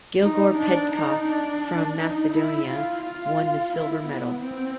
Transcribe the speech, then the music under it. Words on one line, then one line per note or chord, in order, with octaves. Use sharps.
Gligor Petkov from Macedonia won the silver medal.
D#4
D4
D#4
D4
D#4
E4
F4
F4
E4
B3
C4